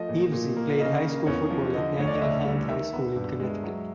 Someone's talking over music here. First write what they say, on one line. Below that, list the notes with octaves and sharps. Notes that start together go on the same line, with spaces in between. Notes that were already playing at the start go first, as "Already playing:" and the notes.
Hevesy played high school football at Daniel Hand High School in Connecticut.
Already playing: F3 A3 D#5
A#2
A#2
A#3
C#3 D#5
A#3
E2 C#5
F3
D3 D#5
D2 C#5
D5
D#5
D2 E5
G3
D#3 E5
B3
G2
G#3
F#3